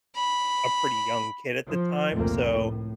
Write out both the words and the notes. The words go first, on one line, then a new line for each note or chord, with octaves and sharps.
a pretty young kid at the time, so
B5
F3
F1 C#2 A#2 A3 A#3 C4
A2